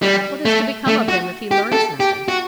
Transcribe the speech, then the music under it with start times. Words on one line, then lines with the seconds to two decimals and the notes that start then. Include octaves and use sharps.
"What is to become of him if he learns nothing?"
0.02 G3
0.45 A3
0.88 A3
1.08 F#4
1.51 G4
1.72 A4
2.00 G4
2.28 F#4